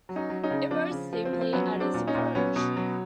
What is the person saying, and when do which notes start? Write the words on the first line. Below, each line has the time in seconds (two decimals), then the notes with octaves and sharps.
It rose steeply at his approach.
0.09 F#3
0.16 C#4 D#4
0.30 F#3
0.43 C#4 D#4
0.51 C#3
0.70 F3 C4 D4
0.91 C#3
1.13 F3
1.25 C4
1.33 F3
1.41 C4
1.53 F#3 B3 C#4
1.74 F#3
1.80 C4 D4
1.94 A#2
2.07 C#4 D#4
2.15 A#2
2.35 F#3 B3 C#4
2.56 B2
2.77 F#3